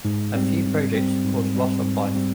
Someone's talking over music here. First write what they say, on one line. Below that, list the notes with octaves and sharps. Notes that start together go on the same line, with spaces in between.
A few projects caused loss of life.
G#2
G3 C4
G#2
G3 C4
G#2
G3 C4
G#2
G3 C4